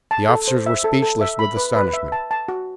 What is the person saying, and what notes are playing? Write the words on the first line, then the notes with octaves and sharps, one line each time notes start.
The officers were speechless with astonishment.
A5
A4
C5
E5
A4
A4
E5
B5
B4
B4
E5
A5
A5
F#4